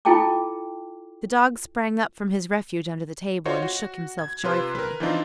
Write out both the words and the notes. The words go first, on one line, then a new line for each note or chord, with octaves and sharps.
The dog sprang up from his refuge under the table, and shook himself joyfully.
E4 F4 A4 G5 A5 D6
F4 F#4 C5 C#5 D#5
F#4
G#6
C3 F4 B4 C6
A#4 B4
E3 F3 C4 D4 D#4 F4